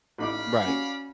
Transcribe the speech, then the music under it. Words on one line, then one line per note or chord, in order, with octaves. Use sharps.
Mm, right.
A1 D#4 D5 F5 B5 D6
C#4 F#4